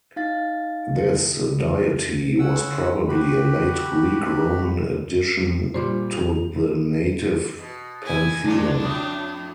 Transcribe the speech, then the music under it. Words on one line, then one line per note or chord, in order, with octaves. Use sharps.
This deity was probably a late Greek-Roman addition to the native pantheon.
D#4 F5 A6
C#4 F#5 E6
F#4 G4 B5
A#2 G3 C5 C6 D6
F4 G4 F7
B2
E4 G#5
D3 F#3 A#3 D4
F2 A2